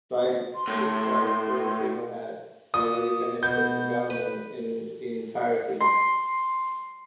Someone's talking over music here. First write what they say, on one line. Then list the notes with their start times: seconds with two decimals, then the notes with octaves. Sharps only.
By this point "Thrill Kill" had already finished development in entirety.
0.55 C6
0.68 A2
2.74 A#2 D#6
3.43 B2 G6
4.10 B4
5.80 C6